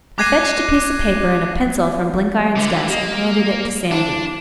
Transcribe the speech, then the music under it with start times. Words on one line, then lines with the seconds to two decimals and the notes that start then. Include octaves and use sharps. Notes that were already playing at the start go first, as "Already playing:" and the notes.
I fetched a piece of paper and a pencil from Blenkiron's desk and handed it to Sandy.
0.18 D6 F#6 G#6 A#6 C7 D#7
2.57 D3 E3
2.89 A#3 G4 D#5
3.91 D4 E4 C5 F5